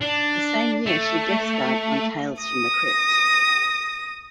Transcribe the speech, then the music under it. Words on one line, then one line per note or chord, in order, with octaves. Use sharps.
The same year, she guest starred on "Tales from the Crypt".
D4
A3
D#6 A#6